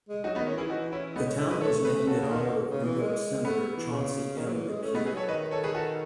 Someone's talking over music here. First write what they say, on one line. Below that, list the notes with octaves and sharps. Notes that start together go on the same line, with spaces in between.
The town was named in honor of New York Senator Chauncy M Depew.
G#3
F#3 D#4 F#4
B3 D#4
D#3
C#4
E3 E4 G#4
E3 D#4 F#4
C#4 E4
G#3 B3 D#4
C#4
C#4 E4
B4 D#5
A3 A4 C#5
G#4 B4
C#3 F#4 A4
C#3
D#3
B2
C#3
E3
G#3
A3 B3
E3
C#3
D#3
F#3
E3
G#3
A3 C#4
B3 D#4
G#3
G#4 B4
F#3 A4 C#5
D#3 B4 D#5
A4 C#5
G#4 B4
F#4 A4